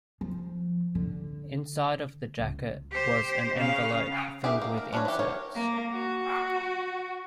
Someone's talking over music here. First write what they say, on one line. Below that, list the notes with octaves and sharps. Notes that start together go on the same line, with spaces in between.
Inside of the jacket was an envelope filled with inserts.
F3
D3
C#2
G4 C5
C#3 F5
G4 G#4 A#4 E5
A#3
A#4
C#4 D4 A4 B4 C#5
E3 G4
A#4 C#5
A#3
F#4